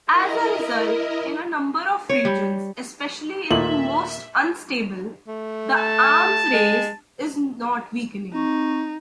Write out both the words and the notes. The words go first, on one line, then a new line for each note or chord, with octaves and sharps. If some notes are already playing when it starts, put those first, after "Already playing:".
As a result, in a number of regions, especially in the most unstable, the arms race is not weakening.
E4 A#4 D#5
C#5
G3
D#2 A#2 A3 E5 F#7
A3
A5
G#3
C4 D#4 C#6